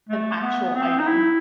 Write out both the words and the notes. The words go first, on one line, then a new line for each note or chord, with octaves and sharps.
an actual item?
A3
B3
C4
D#4
E4